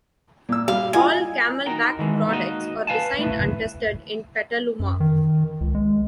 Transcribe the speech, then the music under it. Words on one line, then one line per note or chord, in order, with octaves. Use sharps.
All CamelBak products are designed and tested in Petaluma.
A#2 E6
G3 F5
F4 D#5 G#5
D#4 F#4 A#4 G5
D#3 E3 G#3
A#3 D#4 F#4 D#5
B4 F5 G#5 A5
A3 E4 B4
F#2
D#3
C#2
G#3